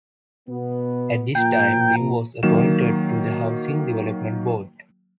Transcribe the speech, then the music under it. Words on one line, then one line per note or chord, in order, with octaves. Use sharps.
At this time, Lim was appointed to the Housing Development Board.
B2 B3
A#2 F3 G5 A#5
D#3 F#3 A#3 E7